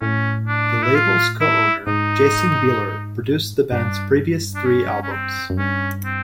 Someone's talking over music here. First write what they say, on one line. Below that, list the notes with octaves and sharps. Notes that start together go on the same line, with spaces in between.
The label's co-owner, Jason Bieler, produced the band's previous three albums.
A2 C#4
D4
E4
F4
E4
G#2 D#4
G2 D4
D4
C#4
C#4
C4
F#2
G2 C#4
C4